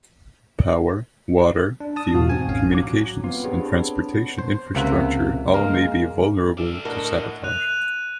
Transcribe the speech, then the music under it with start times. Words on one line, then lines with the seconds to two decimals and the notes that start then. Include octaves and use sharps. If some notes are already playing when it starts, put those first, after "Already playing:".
Power, water, fuel, communications, and transportation infrastructure all may be vulnerable to sabotage.
1.80 D4
1.96 A5 D#6
2.13 E2 G#2 B2 F#4 F5
2.30 C4 G#5
2.48 A1 C#4 F5
2.72 F#3 D6
3.24 B3 C4 F4
3.44 D4 G4 G#4 C#5
4.39 C5
4.75 C#2 C3 A#3 E5 F#5
5.54 G#3 A#3 A#4
6.57 A4 D5 E5 D6
6.85 A2 D4 A#4 D#5 F#5 A5
7.44 F#6 D#7 F7